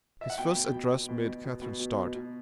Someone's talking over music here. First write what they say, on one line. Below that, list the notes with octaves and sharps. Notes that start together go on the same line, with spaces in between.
His first address made Catherine start.
E5
F#5
B2 G5
B2
B2
B2
B2
B2
B2
B2
B2
B2
B2